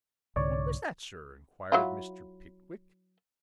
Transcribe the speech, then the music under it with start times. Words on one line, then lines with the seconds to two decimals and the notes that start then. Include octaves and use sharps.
'What was that, sir?' inquired Mr. Pickwick.
0.36 C2 G#2 D3 C#5 D5
1.72 F#3 E4 F4